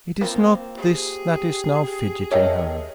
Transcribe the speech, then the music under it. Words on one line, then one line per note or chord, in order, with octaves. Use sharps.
It is not this that is now fidgeting her.
A#3 C4 F4
G4 G#4
A4 A#4 C#5 D#5 E5 G5